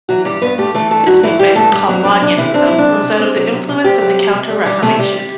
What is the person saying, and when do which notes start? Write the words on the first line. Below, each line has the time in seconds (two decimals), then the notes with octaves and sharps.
This movement, called Laudianism, rose out of the influence of the Counter-Reformation.
0.09 E3 F#3 F#4
0.25 G2 G3 G4
0.42 G2 B3 B4
0.58 G3 A3 G4
0.75 E3 A3 A4
0.90 G2 A3 A4
1.07 G2 F#3 F#4
1.23 E3 A3 E4
1.39 E3 G3 G4
1.56 G2 A3 A4
1.72 G2 G3 G4
1.88 F#3 C4 F#4
2.05 F#3 D4
2.21 C3 D4
2.37 C3 E3 E4
2.54 C4 D4
2.67 F#3 E4
2.78 D4
2.87 C3
3.03 C3
3.19 C4
3.36 F#3
3.52 C3
3.69 C3
3.84 G3 C4 G4
4.01 F#3
4.17 C3
4.34 C3
4.50 G3
4.66 E3 G3 G4
4.82 C3 A3 A4
4.99 C3 G3 G4
5.16 G3